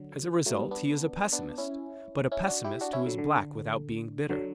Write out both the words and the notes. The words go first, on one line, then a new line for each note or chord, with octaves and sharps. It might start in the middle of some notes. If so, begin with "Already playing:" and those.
As a result, he is a pessimist, but a pessimist who is black without being bitter.
Already playing: D3 F#3
F#3 A3
G3 B3
B3 D4
B3 D4
C#4 E4
C#4 E4
D4 F#4
E4 G4
D4 F#4
C#4 E4
D3 F#3
D3
D3 F#3